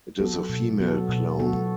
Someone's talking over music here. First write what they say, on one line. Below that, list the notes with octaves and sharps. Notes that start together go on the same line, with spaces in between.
It is a female clone.
F#3 B3 F#4 A4
B2
F#3 B3 F#4 A4
B2
F#3 B3 F#4 A4